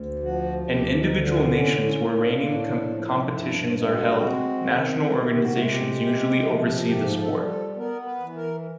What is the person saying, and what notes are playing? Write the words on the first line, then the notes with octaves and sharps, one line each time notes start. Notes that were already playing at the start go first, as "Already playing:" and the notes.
In individual nations where reining competitions are held, national organizations usually oversee the sport.
Already playing: D2
F3 F#4
D2 G4
D#4
D3
D4
A2 C#4
C#4
A#3
D4
A2
F3
G2 E4
G#3
F#4
C4
D#3
C3
G4
F#4
G#3
G4
C3
F3
G#2 G4
A4
G3
A4
B3 A#4
B4
E3
A#4